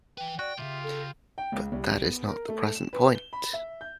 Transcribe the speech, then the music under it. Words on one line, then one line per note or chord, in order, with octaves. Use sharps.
But that is not the present point.
E3 B4 G5
F#4 D5 G5
C2 C#3 F4 G4 E5
A4
G5
C#2
C2
B3
A#4
A3
E7
B4
G7
B5
E5
G6